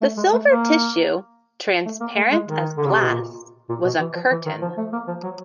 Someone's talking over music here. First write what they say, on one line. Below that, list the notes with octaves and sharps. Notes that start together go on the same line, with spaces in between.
The silver tissue, transparent as glass, was a curtain.
A3
G#3
A3
A#3
A3
A#3
A3
G#3
D#3
D3
C#3
C3
B2
A#2
A#2
B2
E3
F3
E3
D#3
F3
A3
A#3
F3
F#3